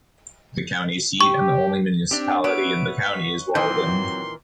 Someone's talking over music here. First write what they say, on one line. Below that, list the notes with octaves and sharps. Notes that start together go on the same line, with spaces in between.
The county seat and only municipality in the county is Walden.
G4 C#6
C4 D4 G4
B3 B4 C#5 E5 D7
B6
A#2 D#3 E3 F#3 C4 C6 G6